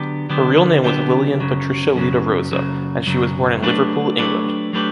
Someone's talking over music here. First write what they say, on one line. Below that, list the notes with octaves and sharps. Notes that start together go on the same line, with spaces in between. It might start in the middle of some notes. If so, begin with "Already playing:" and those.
Her real name was Lilian Patricia Lita Roza, and she was born in Liverpool, England.
Already playing: D3 F#3 B3 D4 G4
D3 F#3 B3 D4 G4
D3 F#3 B3 D4 G4
F#2 C#3 F#3
F#2 C#3 F#3
F#2 C#3 F#3
F#2 C#3 F#3
F#3 A3 D4 G4 B4
F#3 A3 D4 G4 B4
F#3 A3 D4 G4 B4